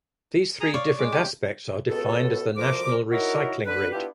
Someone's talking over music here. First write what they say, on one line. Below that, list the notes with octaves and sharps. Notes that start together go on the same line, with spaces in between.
These three different aspects are defined as the National Recycling Rate.
G#4 A#5 D#6
C#5 D5 F5
G#3 D6
G4
C#2 B2 A4
D2 F3 A#4 D6
F#3 D#4 E4 F#4 A#4
D3 B4
B3 D4 E4 F4 G4